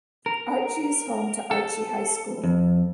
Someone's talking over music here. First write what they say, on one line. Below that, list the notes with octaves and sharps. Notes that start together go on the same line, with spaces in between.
Archie is home to Archie High School.
A#4
A4
F2